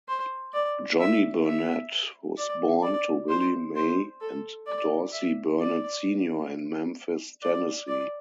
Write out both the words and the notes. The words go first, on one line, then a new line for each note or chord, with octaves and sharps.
Johnny Burnette was born to Willie May and Dorsey Burnett Senior in Memphis, Tennessee.
C5
D5
E5
E5
D5
D5
C5
C5
A4
D5
E5
D5
D5
D5